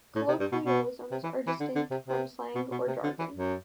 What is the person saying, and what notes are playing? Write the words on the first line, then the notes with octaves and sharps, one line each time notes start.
Colloquialisms are distinct from slang or jargon.
A2
C3
G2
B2
B2
C3
E3
E3
D3
D3
C3
C3
B2
B2
C3
D3
E3
F#2